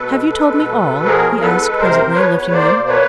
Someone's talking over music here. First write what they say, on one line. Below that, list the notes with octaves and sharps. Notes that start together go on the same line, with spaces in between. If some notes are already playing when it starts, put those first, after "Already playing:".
"Have you told me all?" he asked presently, lifting them.
Already playing: B2 A4 B4
G#3
G#3
B2
B2
F3 G#4 A#4
E2
A4 B4
G#3
C3 A#4 C5
F3
B4 C#5
E2
A#3 C5 D5
B2
B4 C#5